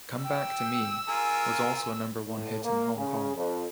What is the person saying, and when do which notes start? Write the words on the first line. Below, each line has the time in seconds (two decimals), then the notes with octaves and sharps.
"Come Back to Me" was also a number-one hit in Hong Kong.
0.24 G5 E6
1.08 F4 G#4 A#4 G#5
2.27 A2
2.63 A#3
2.96 C#3
3.36 F2